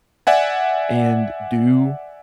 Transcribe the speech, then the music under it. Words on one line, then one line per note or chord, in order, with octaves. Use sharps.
and do
D5 E5 F#5 G#5